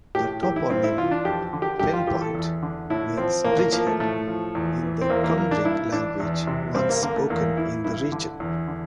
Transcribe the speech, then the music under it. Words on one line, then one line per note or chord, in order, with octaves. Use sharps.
The toponym "Penpont" means "bridge-head" in the Cumbric language once spoken in the region.
A2 G4
E3 G4
E4
G2 C4
E4
E3 F4
D4
F2 G4
D3
G4
G2 G4
F4
E3 G4
A4
E2
D3
A2 E4
F3 C4
A2 A#3
A#3
F3 A#3
A3
A2 A3
F3
E2
E3
C4
E2 A#3
A#3
E3 A#3
D4
G2 E4
E3 D4
E2
C3
G2 C4
A#3
D3 A#3
A3
E2 A#3
E3 E4
G2 E4
D3
E2
D3